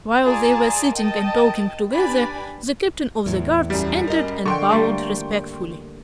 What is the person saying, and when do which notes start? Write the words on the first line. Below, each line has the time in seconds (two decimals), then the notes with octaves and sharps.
While they were sitting and talking together the Captain of the Guards entered and bowed respectfully.
0.24 F4 G#4 D5 A5 A#5
0.94 A#4 D#5 G5 A5
1.91 D4 G4 B4 D5 G#5 B5
3.26 E2 A2
3.70 F#2 G3
4.08 A#4 D#5
4.46 D3 G5 C6 C#6
4.70 G3 A3 A#3